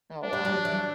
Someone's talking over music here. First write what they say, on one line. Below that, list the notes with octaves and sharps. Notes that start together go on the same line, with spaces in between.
Oh, wow.
D4
G3
F#3
E3